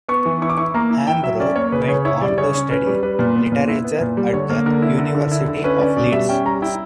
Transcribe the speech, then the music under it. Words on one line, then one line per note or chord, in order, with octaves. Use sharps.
Hambro went on to study literature at the University of Leeds.
B3 C#6
E3
E4 C#6
D6
E4 C#6
A#3 A#5
E4
E4 G5
F#3 E5
C#4 D5
A#3 C#5
C#3 B4
C#3 C#5
E4 C#5
G3 D5
C#3 C#5
C#4
C#4 B4
G3
G3 B4
A#2
B3
A#2
E4
B3
A#2
G3
D3 C#5
A#3
D3 A#4
E4
D3 A#4
D3
E4
D3
C#4 B4
C#4 D5
B2 D5
G3 E5
C#4 G5
G3 A#5
E4 G5